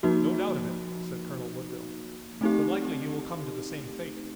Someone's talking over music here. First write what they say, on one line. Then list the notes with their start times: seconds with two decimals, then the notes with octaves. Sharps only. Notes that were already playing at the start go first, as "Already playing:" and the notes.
"No doubt of it," said Colonel Woodville, "but likely he will come to the same fate."
0.03 F3 A#3 D#4 F#4
2.41 A3 C4 D#4 G4